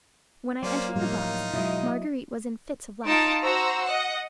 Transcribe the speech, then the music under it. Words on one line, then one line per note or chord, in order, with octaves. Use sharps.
When I entered the box Marguerite was in fits of laughter.
F#3 A#3 C#4 C5 D5
A2 F3 G3 D#4 F4
B2 F#3 G#3 E4 D#5
D#4 F4 A5 D7
F#4 C5 A#5 E6
D#5 F#5